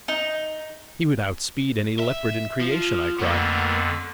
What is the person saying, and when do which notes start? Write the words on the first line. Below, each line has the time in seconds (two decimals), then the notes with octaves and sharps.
"He would outspeed any leopard in creation!" I cried.
0.08 D#4
2.00 E5
2.61 F3
3.20 F2 D3 A#3 B3